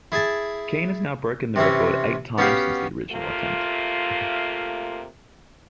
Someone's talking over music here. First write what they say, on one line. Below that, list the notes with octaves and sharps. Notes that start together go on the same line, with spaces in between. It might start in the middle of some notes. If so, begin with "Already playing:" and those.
Keene has now broken the record eight times since the original attempt.
E4 G#4 G#5 A5
C3 E3 C4 C#4
B3 C#4 F#4 G4 F5 G5
C3 A3 A#3 F4